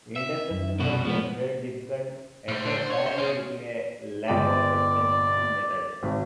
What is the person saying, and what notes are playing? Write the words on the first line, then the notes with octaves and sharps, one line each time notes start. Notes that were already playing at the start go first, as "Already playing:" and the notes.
Interception was considered difficult at the time due to a lack of extensible metadata.
E5
F#2
C2 B2 F#4
F3 G#3 B3
A2 C5
D3
C5
C#5
C5
C#4 G#4
G1 G#3 D5 G5
G#1